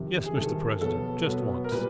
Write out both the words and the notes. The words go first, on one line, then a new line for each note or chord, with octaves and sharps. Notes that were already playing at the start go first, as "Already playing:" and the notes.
"Yes, Mr. President, just once."
Already playing: F2 C3 D#3
G#4
F2 C3 D#3 A4
B2 F#3 B3 A4
B2 F#3 B3
A#4
A#2 G3 B4